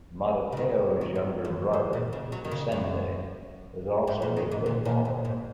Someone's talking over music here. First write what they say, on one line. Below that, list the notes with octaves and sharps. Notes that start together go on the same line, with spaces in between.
Matateu's younger brother, Vicente, was also a footballer.
C#3
D#3
D#3
G#2
F#2
G#2
A#2
C#3
F#3
D#3
C#3
F#2
G#2
A#2
D#3
G#2
A#2
A#2
G#2
G#2